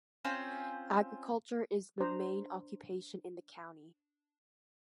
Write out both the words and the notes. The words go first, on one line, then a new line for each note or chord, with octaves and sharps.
Agriculture is the main occupation in the county.
C4 C#4 F4 C5
D4 C5 A#5